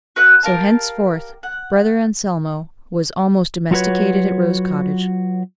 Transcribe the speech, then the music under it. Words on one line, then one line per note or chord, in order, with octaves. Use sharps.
So henceforward "Brother Anselmo" was almost domesticated at Rose Cottage.
F#4 B4 E5 F#5
G4 A#4 F5 A5
F#5
F#3 F4 F#4 A4 B4 C#5